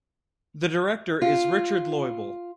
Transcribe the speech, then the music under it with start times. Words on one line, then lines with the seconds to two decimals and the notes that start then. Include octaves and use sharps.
The director is Richard Loibl.
1.22 F4